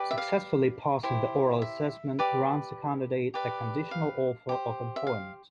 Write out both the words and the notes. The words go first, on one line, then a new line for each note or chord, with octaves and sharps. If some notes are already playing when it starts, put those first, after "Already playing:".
Successfully passing the oral assessment grants a candidate a conditional offer of employment.
Already playing: G4 B4 D5
E5
F5
E4 G4 C5
E5
G4 B4 D5
G4 B4 D5
F5
G4 C5
E5
F5